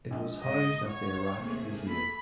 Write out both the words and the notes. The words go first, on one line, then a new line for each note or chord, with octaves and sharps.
It was housed at the Iraq Museum.
A#1 G#3 D#5
G#1 D#5
C#5
D#2 C3 A3 A#3 G#4
A4 B5